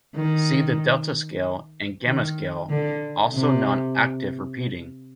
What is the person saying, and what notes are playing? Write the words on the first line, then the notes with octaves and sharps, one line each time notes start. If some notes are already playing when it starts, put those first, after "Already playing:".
See the Delta scale and Gamma scale, also non-octave repeating.
D#3
D#3
D3
C3